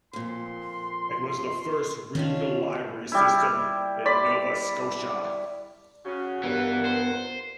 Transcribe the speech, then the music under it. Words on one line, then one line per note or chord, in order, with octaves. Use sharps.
It was the first regional library system in Nova Scotia.
F2 A#2 C6
D#3 C#4 D4 F4
G3 E4
D5 B5 C6
C#3 C#4 F#4
G2 E3 B3 E4 F4 A#4 F#5
C5